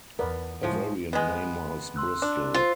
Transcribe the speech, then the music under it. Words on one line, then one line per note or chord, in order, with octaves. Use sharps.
A variant name was "Bristol".
E2 B3 A#4 B4 D5
A2 F3 G#3 C5
G#3 B3
C6 E6 F#6
D4
F4 C5